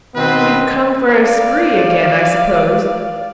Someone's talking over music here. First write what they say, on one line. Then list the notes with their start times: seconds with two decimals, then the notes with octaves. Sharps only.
You've come for a spree again, I suppose?
0.15 B2 D#3 B3 C4 B4 D#5
1.09 D5 F5